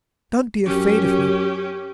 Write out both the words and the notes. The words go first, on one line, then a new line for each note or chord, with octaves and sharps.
Don't be afraid of me.
F#2 C#4 G4